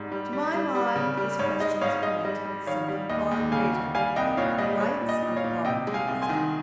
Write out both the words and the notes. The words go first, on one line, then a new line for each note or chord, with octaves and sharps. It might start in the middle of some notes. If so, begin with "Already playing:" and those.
"To my mind this question is connected with something far greater, the rights of property itself."
Already playing: G#2 G3
G3
G3
G3
G3
C#3
G3
G#2 C#5
G#3 D#5
G#2 C#5 F5
G#3 D#5
G3 D#5
G3
D#3 C#5 F5
G3
D#2 D#5
D#2
C#3 F5 G#5
D#2
G3 F5 G#5
C2 D#5 G5
A#2 C#5 F5
G3 D#5
G3 C#5
A#2
D#5
A#2
C#5 F5
A#2
C3 D#5 G5
G#3
F5 G#5
C2
G#5 C6
D#3